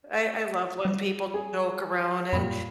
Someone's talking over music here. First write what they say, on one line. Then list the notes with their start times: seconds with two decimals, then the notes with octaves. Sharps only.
I I love when people joke around, and
0.85 G3
1.34 G#4
2.33 F#2 A#2 G3 B5